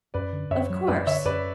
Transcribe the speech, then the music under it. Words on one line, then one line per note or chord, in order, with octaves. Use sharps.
'Of course.
F#2 B4 D5
D3
F#2 C#5 E5
F#3
F#2 B4 D5
D3 C#5 E5
F#2 B4 D5